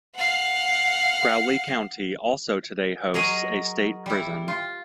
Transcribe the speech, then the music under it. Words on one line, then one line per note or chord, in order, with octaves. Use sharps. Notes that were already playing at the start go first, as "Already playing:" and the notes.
Crowley County also today hosts a state prison.
F5 F#5
F#3 G#4 A#4 C#5 D#5
G3 E4
F4